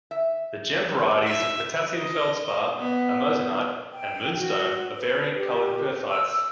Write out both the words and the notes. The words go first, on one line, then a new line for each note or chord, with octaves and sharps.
The gem varieties of potassium feldspar, amazonite and moonstone are variant colored perthites.
E5
E5
D#5
B3
G5
F#4
B4
G4
E6